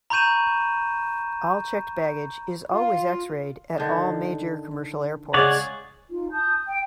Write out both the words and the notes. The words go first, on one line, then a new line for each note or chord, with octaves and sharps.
All checked baggage is always x-rayed at all major commercial airports.
A#5 B5 C#6 G6 D#7 E7
F4
D3 D#3
C#3 G#3 G#4 C#5 D5 F#5
D#4 F4
A5 D#6 G6
G5